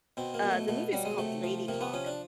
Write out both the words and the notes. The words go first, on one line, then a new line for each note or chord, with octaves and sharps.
uh, the movie's called Ladyhawke.
B2 C4
A#3
B2
A3
B2 A3
F#3 G3
G#3
C3 A3
F3
C3 A#3
B3
F3 C#4
D4